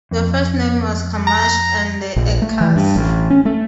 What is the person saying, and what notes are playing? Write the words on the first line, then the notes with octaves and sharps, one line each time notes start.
The first name was "Kamash and the Eckers".
F2
A#5
A#1
A3
E3
G2
A1
C#4
A3